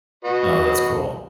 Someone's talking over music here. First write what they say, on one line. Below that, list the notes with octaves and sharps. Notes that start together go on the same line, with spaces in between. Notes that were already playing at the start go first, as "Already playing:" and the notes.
Oh, that's cool.
F#4 B4 D#5